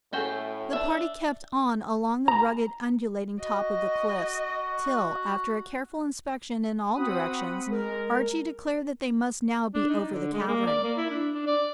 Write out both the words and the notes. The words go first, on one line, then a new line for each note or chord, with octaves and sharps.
The party kept on along the rugged undulating top of the cliffs, till, after a careful inspection in all directions, Archy declared that they must now be over the cavern.
A2 A3 C#4 F#4 G#4 A4 G5
D4 E5
A#5
F#4 D#5
C4 F#4 F#5 B5 D#6
G#3 A#4
D4
D#4
D3
G#3
A#3
D5
A#3
E4
D4
D4
D5